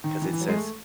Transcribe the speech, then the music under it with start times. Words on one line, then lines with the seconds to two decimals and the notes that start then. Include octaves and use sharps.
'cause it says,
0.04 D#3
0.21 E3
0.33 E3
0.41 F#3
0.48 G#3
0.56 A3